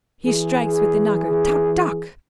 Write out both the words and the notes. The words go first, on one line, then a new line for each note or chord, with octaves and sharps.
He strikes with the knocker: 'Toc! toc!'
E3 G#4